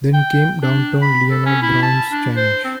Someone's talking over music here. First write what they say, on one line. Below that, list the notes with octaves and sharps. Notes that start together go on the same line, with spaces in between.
Then came Downtown Leona Brown's challenge.
G5
D4
B5
A4
C#4
E4
A5
D4
C5
C4